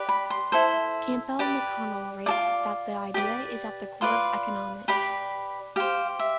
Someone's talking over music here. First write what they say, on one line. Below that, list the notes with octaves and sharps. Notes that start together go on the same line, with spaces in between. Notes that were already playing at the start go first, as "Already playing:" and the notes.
Campbell McConnell writes that the idea is "at the core of economics".
Already playing: G4 B4 D5
B5
C6
E4 A4 C5
G4 B4 D5
F4 A4 D5 D6
G4 B4 D5
F4 B4 D5 C6
G4 B4 D5 B5
G4 C5 F5
E5